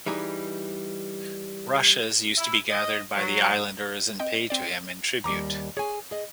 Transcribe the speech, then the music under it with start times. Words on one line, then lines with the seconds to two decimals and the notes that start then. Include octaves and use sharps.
Rushes used to be gathered by the islanders and paid to him in tribute.
0.06 E3 G3 D#4 G#4
2.37 E4
2.70 D#5
3.16 F#3
4.20 C4 D#5 G5
4.50 C4 D5
5.24 D#2 G3 A#5 D6
5.77 G#4 C#5 G#5
6.11 G#4 D#5